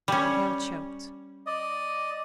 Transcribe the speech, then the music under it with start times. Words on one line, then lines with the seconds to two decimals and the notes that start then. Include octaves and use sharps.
Hale choked.
0.08 G3 C#4
1.47 D5 D#5